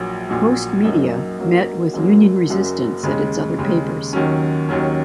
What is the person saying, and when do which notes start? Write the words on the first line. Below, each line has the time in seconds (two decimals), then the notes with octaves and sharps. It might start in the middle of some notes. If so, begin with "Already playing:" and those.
Postmedia met with union-resistance at its other papers.
Already playing: A#1 A#2 F#3
0.29 A#1 A#2 F#3
0.84 F#2 F#3 A#3 D#4
1.39 F#2 F#3 A#3 D#4
1.93 F#1 F#2 F#3 A#3
2.48 F#1 F#2 F#3 A#3
3.03 D#2 C#3 G#3
3.59 D#2 C#3 G#3
4.13 D#2 D#3 F#3 C#4
4.69 D#2 D#3 F#3 C#4